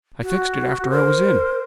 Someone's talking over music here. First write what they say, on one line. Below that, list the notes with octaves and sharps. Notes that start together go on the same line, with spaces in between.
"I fixed it after I was in."
F#4
A#4 C5